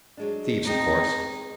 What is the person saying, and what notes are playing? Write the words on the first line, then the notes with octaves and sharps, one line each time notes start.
Thieves, of course.
F#3 G#3 D4
G#3 C4 D#4